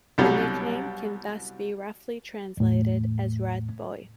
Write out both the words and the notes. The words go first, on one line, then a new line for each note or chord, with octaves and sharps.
The nickname can thus be roughly translated as "rat boy".
C2 B2 F#3 G3
E2 A2